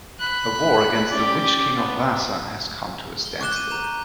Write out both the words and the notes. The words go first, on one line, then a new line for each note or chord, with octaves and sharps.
A war against the Witch-King of Vaasa has come to a standstill.
B5 F#6
C#4 G4 D5
B3
G7
C#6 D6 F#6 E7 G7
G6 D#7
A#5 G6 E7
G6